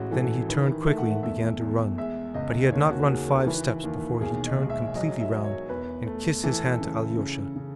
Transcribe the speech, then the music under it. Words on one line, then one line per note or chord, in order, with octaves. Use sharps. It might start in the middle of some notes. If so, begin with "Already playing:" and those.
Then he turned quickly and began to run; but he had not run five steps before he turned completely round and kissed his hand to Alyosha.
Already playing: A1 G#3 F#4
E3 A4
D#3 B4
A3 E5
F#5
E5
E2 E5
E2
G#3 E5
C#2 D#5
D#2 C#5
F#4
D#3 G#4
A4
E3 B4
D#2
B1 G#4
D#5
G#3
E5
F#3 D#5
E5
F#3
C#5
E2 B4
A3
E3 A4
C#3
C#3
C#3